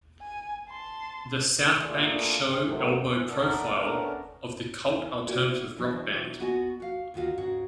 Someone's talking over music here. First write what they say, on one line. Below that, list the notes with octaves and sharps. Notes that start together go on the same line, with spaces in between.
The South Bank Show Elbow Profile of the cult alternative rock band.
G#5
A5 C6
A3 A#3 D4 E4 F4 G#4
E3 D4 G4
A2 C3 D#3 F#3 A3 C4
F#2 E3
A4 A#4 D5 E5 F#5
A3 B3 C#4 D4 A#4
E4 F#4 G4 C#5 D5
B2 E3 F#3 D4 E4
B3 F#4 D#5 G#5
F#4 F5
D2 D#3 F4 F#4 F5
G#2 C#3 F#4